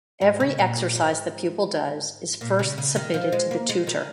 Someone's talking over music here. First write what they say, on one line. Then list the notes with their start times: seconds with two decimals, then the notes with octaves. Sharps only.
Every exercise the pupil does is first submitted to the tutor.
0.21 G#2
0.40 C#3
0.59 A#2
0.77 A#2
0.95 G#2
2.41 A#2
2.59 C#3
2.78 C#3
2.96 D#3
3.14 F3
3.32 G#3
3.51 A#3
3.69 G#3
3.87 D#3